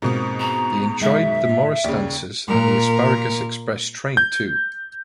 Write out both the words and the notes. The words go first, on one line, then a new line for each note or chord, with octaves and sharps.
They enjoyed the Morris Dancers and the Asparagus Express train too.
G#2 B2 A#3 C4 F4
A#5
F#2 D#3 G#3 E5
A2 F4
D#2 C#3 D5
A#2 A#4
G6